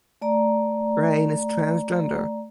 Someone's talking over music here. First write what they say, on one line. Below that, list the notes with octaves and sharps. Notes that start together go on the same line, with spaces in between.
Raine is transgender.
A3 D5 A#5